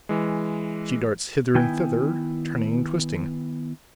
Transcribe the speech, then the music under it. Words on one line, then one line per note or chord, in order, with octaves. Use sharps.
She darts hither and thither, turning and twisting.
E3 G#3
D#3 B3 E4 G5 G#5